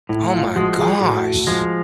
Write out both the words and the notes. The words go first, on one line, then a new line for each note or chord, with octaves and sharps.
Oh my gosh.
A2 E4
F4
F3 G#3 F#4
G#4
A2 F#4
F3 G#3